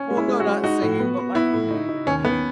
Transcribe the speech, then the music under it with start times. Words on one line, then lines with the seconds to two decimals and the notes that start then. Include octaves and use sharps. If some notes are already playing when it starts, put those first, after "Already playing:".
Well, no, not singing, but, like, you know, even in
Already playing: C#4
0.11 G#3
0.17 E4
0.28 G#3
0.40 F#4
0.47 G#3
0.64 D#4 F#4
0.81 A2
0.99 B3
1.18 B3
1.35 B3 E4
1.53 A2
1.71 D#4
1.89 D#4
2.06 D#2 C#4
2.24 D#2 B3